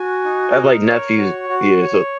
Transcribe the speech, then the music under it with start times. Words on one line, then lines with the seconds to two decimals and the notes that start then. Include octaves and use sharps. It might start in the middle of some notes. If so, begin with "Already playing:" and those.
I have, like, nephews. Yeah, so
Already playing: F#4 G#5
0.25 D#4
0.55 A#4
0.87 C#5
1.18 F#4
1.49 F#4
1.81 C#5